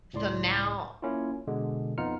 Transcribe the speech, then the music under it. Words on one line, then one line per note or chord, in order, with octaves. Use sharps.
So now
C#2 A2 D5 C6
A#3 C#4 E4 F4
B2 D3 G#3
F2 B3 D#4 F4 F6 C#7